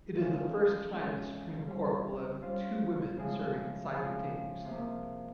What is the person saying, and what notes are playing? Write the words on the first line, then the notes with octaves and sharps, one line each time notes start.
It is the first time the Supreme Court will have two women serving simultaneously.
F2 E3 G#3 C#4 F4
F2 E3 G#3 C#4 F4
G3 C#4 F4 C5
G3 C#4 F4 C5
C#3 F3 G#3 E4 G#4
C#3 F3 G#3 E4 G#4
C3 F3 A#3